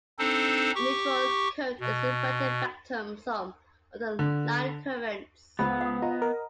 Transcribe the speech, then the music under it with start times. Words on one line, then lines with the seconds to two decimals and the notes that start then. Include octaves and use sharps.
The neutral current is the inverted vector sum of the line currents.
0.19 C4 D4 D#4 A4 C5
0.75 G4 C#6
1.80 B2
4.19 D3
5.59 C#2 B3 C5 F#5 B5
5.81 F#5 D#6
6.02 F4 D#5 A#5
6.22 A#4